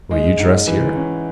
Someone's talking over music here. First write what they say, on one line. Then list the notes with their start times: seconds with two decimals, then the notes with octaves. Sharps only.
"Will you dress here?"
0.11 G#3
0.39 G#2
0.67 E3
0.96 C#4